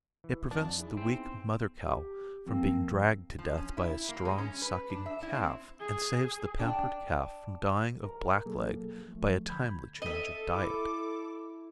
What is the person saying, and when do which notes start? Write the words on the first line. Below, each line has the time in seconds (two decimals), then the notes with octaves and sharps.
It prevents the weak mother cow from being dragged to death by a strong sucking calf and saves the pampered calf from dying of blackleg by a timely change of diet.
0.24 E3
0.51 F2 D4
0.78 D#4 E4 G#4
0.97 B3 C4 C6
1.86 G4
2.46 F2 A#3 C4
3.39 F3
3.58 C#4
3.77 E4
4.09 A#3
4.25 G#3
4.38 C#4
4.62 B4
4.90 D4
5.06 E5
5.23 E4
5.35 C4
5.80 G#4
6.59 D4 G5
8.04 A#4 A#5
8.45 B2 F#3 A#3 G#4 A4
9.08 F3 A3
9.50 D3 B5 G6 G#6
10.02 A4 D#5 E5
10.53 E4 D6